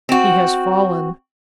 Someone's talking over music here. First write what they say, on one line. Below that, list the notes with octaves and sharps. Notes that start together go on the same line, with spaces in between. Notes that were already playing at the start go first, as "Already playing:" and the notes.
He has fallen.
C4 F#4